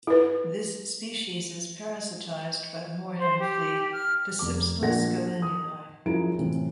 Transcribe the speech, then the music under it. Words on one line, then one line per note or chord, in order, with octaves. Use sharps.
This species is parasitised by the moorhen flea, "Dasypsyllus gallinulae".
E4 B4
C5
G4
F6
F1 D6
A#1 A#2 A4 A#4 F#5 A#6
D#6
F#2 F3 E4 G#4 A#5 D7
A2 C3 E3